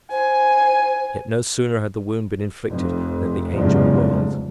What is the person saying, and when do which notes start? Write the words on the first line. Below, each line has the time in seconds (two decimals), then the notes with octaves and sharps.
Yet, no sooner had the wound been inflicted than the Angel whirled.
0.11 C5 G#5
2.67 F1 F2
3.51 F1 E2 G#2 C#3 F3 F#3